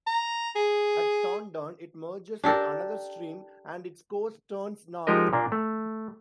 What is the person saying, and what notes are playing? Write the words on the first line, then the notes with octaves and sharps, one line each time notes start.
At Thorndon it merges with another stream and its course turns north.
A#5
G#4
D4 G4 A4 A#4
F3 G#3 D#4 G4 A#4 D#5
A#2 A#3 D4
A3